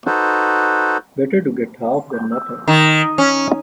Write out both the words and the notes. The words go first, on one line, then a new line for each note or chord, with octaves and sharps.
Better to get half than nothing.
D#4 F#4 A4 B4 C5
D#3
C#4